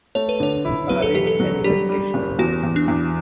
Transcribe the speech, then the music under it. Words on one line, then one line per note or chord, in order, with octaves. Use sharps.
Married and left issue.
A3 C#5
B4
D3 C#5
E4
F#3 B4
A4
E1 G4
A4
F#3
G3 G4
G3
F#1
E2 F#4
E2
D4
E2